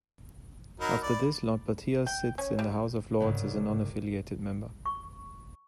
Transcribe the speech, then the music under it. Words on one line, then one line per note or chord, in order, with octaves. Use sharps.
After this, Lord Batia sits in the House of Lords as a non-affiliated member.
F#3 D#4 A#4 B5
D5
G5
C#4
G3
C2 G#2 C#3
C#6